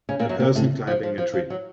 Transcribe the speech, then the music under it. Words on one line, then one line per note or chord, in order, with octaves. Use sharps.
A person climbing a tree.
C#3 C#4
A#2 A#3
F#2 F#3
A#2 A#3
A2 A3
F3
F3
F3
F3
F#3